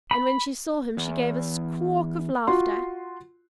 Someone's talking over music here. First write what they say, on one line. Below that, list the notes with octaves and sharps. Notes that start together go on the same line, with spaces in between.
And when she saw him she gave a squawk of laughter.
B5
E2
F4 F#4 C6